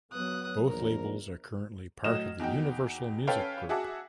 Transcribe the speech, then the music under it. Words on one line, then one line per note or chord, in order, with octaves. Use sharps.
Both labels are currently part of the Universal Music Group.
F#3 B3 D#6 F#6
A#1 E2 A#4
A2 F#3 D#5 F6 E7
E2 D#4 F#4 G5
C#4 A4 B4 C#5 F5 G5
F#4 G#4 E5 F#5 A5 D6